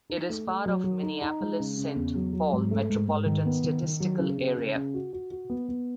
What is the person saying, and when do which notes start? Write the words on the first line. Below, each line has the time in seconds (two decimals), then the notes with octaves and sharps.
It is part of Minneapolis St.Paul metropolitan statistical area.
0.10 D#4
0.29 A3
0.47 A3
0.66 F#3
0.84 F#3
1.03 D#4
1.22 D#4
1.40 G#3
1.60 C#3
1.78 C#3
1.96 E2
2.15 F#3
2.33 F#3
2.52 G#2
2.71 A3
2.90 G#2
3.08 G#2
3.26 D#3
3.45 B3
3.64 D#3
3.82 D#3
4.00 F#3
4.19 C#3
4.38 C#3
4.57 C#3
4.75 C#3
4.94 F#4
5.13 F#4
5.31 F#4
5.50 B3
5.69 B3